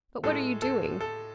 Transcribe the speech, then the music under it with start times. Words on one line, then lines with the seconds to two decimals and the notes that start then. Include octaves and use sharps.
But what are you doing?
0.23 A2 G#3 A4
0.62 A4
1.01 A4